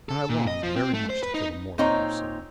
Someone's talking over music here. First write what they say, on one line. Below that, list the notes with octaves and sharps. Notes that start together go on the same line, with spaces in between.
And I longed very much to kill a Morlock or so.
A4
A#2
D#5
F3
C4
A3
C5
B4
D#4
A#2 C4 D#4 C#5 A#5